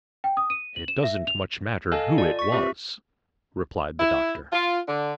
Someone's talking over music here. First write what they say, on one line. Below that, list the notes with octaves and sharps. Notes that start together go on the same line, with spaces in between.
"It doesn't much matter who it was," replied the doctor.
G5
D#6
D#7
F#7
E7
E5
F7
A4 D#5 F5 G#5 A5
F4 D5
C#6 B6
C4 F4 G4 E5
E4
F4
D3